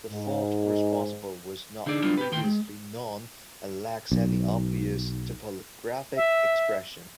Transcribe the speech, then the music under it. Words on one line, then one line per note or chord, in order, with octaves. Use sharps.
The fault responsible was not previously known and lacks any obvious topographic expression.
G#2
D3 D#4 G#4 D5
F#3 G3 B3 D4 F4
G4 B4
D2 D#3 G5 C6
G#3
B1
E5